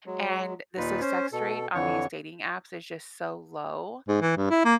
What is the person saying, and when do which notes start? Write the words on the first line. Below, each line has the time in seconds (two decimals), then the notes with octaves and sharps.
and the success rate on these dating apps is just so low,
0.06 F#3 G#3
0.78 D#2 A#2 D#4 F4 B4
1.01 C#4 C5
1.33 B2 A4
1.74 F2 D3 E3 C#5 C#6
4.08 G#2
4.21 E3
4.37 G2
4.50 E4
4.65 A#3